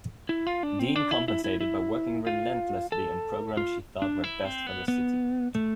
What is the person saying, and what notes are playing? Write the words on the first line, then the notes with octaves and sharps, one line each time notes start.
Dean compensated by working relentlessly on programs she thought were best for the city.
E4
F4
D4
C4
D4
E4
E4
E4
E4
F4
A4
F4
D4
E4
C4
B3
B3
A3